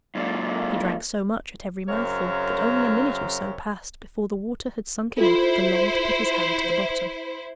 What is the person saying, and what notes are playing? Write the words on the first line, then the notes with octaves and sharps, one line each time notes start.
He drank so much at every mouthful, that only a minute or so passed before the water had sunk enough for Long to put his hand to the bottom.
F#2 A#2
F#2 C#3 C4 A#4 C#5 F5
E4 F4 A4 C5